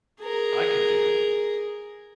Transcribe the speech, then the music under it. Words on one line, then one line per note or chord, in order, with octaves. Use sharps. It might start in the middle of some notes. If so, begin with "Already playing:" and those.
I Can Do It!
G#4 A#4